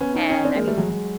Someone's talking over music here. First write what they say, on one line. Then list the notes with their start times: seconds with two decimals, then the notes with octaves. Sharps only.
And, I mean,
0.01 B3 C#4
0.14 C#4 D#4
0.30 C#4 D#4
0.44 C4 D4
0.56 G#3 A#3
0.67 G3 A3
0.78 F#3 G#3
0.90 F#3 G#3